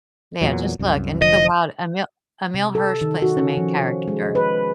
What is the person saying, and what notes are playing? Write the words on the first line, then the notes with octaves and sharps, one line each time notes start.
Yeah, just look, Into the Wild. Emil Emile Hirsch plays the main character.
E2 A#2 F#3
C2 F#2
F1 D3 F3 D#5
C3
A4
D#3
F#4
C#4
F3
G#3
B4